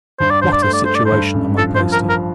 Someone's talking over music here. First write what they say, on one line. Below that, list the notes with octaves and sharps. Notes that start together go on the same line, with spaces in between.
What a situation am I placed in!
G2 C5
D5
G2 C5
D5
A3 C5
D5
A3 C5
D5
C5
G2
A1
F3 A4
C5
F3
A#4
F3
A#4